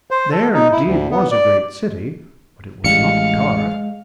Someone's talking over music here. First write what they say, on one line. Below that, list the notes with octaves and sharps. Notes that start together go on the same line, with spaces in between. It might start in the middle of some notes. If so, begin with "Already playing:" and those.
There indeed was a great city, but it was not Ptarth.
C5
A4
D#4
E4
D2
B3
D5
A1 G3 G#3 F5 C#7